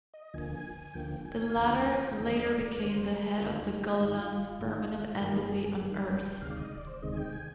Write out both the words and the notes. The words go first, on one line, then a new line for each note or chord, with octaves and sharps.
The latter later became the head of the Golovans' permanent embassy on Earth.
D#5
D2 D3 F3 A#3 G#5
D2 D3 F3 A#3 G5
G#5
F5
D#2 D3 F3 G5
G5
G#5
G5
D#2 D3 F3 D#5
D5
D#2 D3 G3 A#3 C5
G#4
D#2 D3 G3 A#3 F4
D#4
G4
F4
G#2 D#3 G#3 D#4
F4
G#2 D#3 G#3
G2 D#3 G3 A#3 G#4
A#4
G#4
G2 D#3 G3 A#3
G#5
G5
D2 C3 D#3 G#3 F5
D5
D#5
D5
C5
D2 C3 D#3 G#3 D#5
G#5
G5
G#5